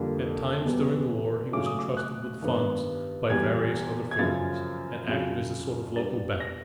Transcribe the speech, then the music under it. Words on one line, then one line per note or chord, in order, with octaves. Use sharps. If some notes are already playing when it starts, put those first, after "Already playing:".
At times during the War, he was entrusted with funds by various other families, and acted as a sort of local bank.
Already playing: F2 D3 G3 A#3
E2 B2 G3 B3
C#3 F#3 A3 C#4 D6
D#6
D6
F#6
G2 D#3 G3 B3
E2 B2 G3 G#6
G#6
F#2 C#3 F3 A6
F2 C#3 F#3
B2 G3 B3 D4 A6
A#6